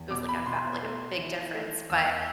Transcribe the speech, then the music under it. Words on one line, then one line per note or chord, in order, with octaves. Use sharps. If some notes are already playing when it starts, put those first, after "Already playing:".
it was, like, a va like a big difference. But
Already playing: E2
B2 D6
B5
B2 C6
A3
E3
A3
E2 E6